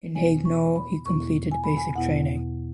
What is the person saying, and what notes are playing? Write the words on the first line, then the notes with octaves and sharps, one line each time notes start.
In Haguenau he completed basic training.
E2 B2 B3 E4 G#5
C#6
B5
E2 B2 B3 E4 C#6
G#5
B5
G#5
E2 B2 B3 E4 F#5